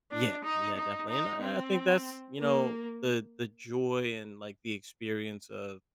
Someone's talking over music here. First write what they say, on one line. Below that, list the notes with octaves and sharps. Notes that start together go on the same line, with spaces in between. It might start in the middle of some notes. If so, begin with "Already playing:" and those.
Yeah yeah, definitely, and I I think that's, you know, the the joy and, like, the experience of
D4
D#4
D#4
D#4
C4
A#3